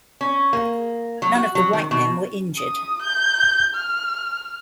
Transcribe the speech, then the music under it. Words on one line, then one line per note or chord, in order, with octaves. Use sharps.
None of the white men were injured.
C#4
A#3
F#3
F#4
F#3
D#3
B2
D#6
G6
F6